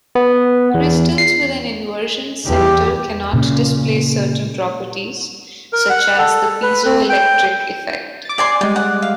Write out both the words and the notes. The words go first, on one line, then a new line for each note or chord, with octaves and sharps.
Crystals with an inversion center cannot display certain properties, such as the piezoelectric effect.
B3
E2
C7
E2 G4
A#2 C#3
A#4
F#5
A4
B4
C4
G5
D6 A6
D5 G#5 C6
G3 G#3 D5
D5 F#5
F5